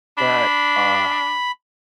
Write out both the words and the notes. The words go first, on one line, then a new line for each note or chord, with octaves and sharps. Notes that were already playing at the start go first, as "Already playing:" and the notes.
that, uh,
D4 B5